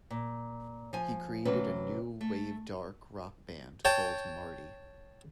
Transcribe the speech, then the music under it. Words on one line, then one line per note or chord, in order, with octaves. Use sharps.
He created a new wave-dark rock band called "Marti".
A#2
F3 G#5
C3 E3 F#3 A3 C#4 B4
A3
C#5 G5 A5